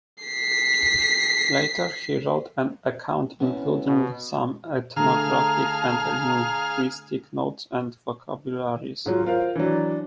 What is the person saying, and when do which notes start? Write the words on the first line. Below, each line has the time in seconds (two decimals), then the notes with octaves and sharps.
Later he wrote an account including some ethnographic and linguistic notes and vocabularies.
0.24 B6 C7
3.40 B3 C#4 E4
3.87 B2
4.96 D3 A3 G#4 F5 A5 A#5 F6
9.06 G#2 F#3 F4
9.26 F4 A#4 C5 F5
9.55 E3 F#3 D4